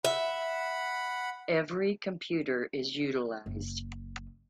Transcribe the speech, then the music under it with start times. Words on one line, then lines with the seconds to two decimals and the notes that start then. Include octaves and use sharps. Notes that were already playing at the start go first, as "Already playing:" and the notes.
Every computer is utilized.
0.05 E5 F#5 B5
3.46 F#1